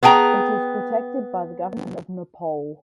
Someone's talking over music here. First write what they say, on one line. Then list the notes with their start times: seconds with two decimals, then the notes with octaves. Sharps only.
It is protected by the government of Nepal.
0.03 B3 G#4 G5 G#5 A#5